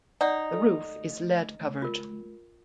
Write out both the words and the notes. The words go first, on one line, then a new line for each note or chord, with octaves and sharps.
The roof is lead covered.
D#4 D5 F#5
A4
F4 A#4